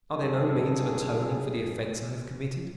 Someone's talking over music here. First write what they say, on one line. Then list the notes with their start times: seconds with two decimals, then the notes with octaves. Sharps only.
Are there no means of atoning for the offense I have committed?
0.12 B1 G2 G#4 A4